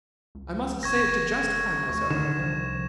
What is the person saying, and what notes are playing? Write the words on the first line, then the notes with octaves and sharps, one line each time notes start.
I must say it to justify myself.
C#2
F#1 C#6 G#6 A#6
D2 C#6
D3 D#3 E7
C2 F3